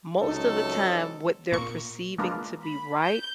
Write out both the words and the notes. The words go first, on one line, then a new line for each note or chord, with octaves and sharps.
most of the time what they're perceiving to be right
C#2 C3 F#3 D#4 A4
A#2 A#3 A#4 C#6 C#7
G#3 A#3 D4 F4 A#4 B4
B5
G6